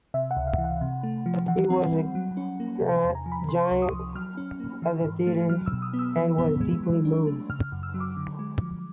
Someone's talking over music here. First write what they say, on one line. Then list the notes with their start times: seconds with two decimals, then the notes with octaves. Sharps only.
He was a giant of the theater and was deeply mourned.
0.14 C3 E5
0.31 F#5
0.37 C#2
0.47 F5
0.58 E3
0.64 F#5
0.81 C3
1.03 A3
1.26 F3
1.48 E3 F#5
1.70 C4
1.92 G3
2.15 F#3
2.37 C#4
2.60 A#3
2.82 C3
2.98 G#5
3.04 E2
3.15 A#5
3.26 F3
3.32 B5
3.49 C3 C6
3.65 C#6
3.71 C#2
3.82 D#6
3.93 F3
4.15 F#3 F6
4.37 C#4
4.60 A#3
4.82 E3
5.04 G#2
5.27 A3
5.49 F#3 F6
5.66 E6
5.72 B2
5.82 D#6
5.94 B3
5.99 E6
6.16 F3
6.38 B3
6.61 G#3
6.83 F#3
7.05 D4
7.27 A3
7.50 C#3 F6
7.72 F#2
7.83 E6
7.94 F#3
8.00 D6
8.17 D3
8.39 G#3
8.61 F3